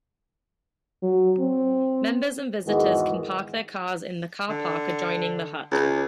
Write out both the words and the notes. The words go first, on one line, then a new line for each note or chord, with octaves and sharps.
Members and visitors can park their cars in the car park adjoining the hut.
F#3
C4
E2 G#2 D#3 E3 G#3 F#4
D3
C#2